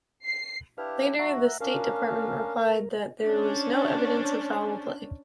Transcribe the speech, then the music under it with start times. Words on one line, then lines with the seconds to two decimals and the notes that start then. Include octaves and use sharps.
Later the State Department replied that there was no evidence of foul play.
0.25 C7
0.78 D4 E4 G4 B4 F5
1.19 F#4 E5 F#5 A#5
1.60 C#4 D4 A#4 F5
3.23 C#4 D4 C5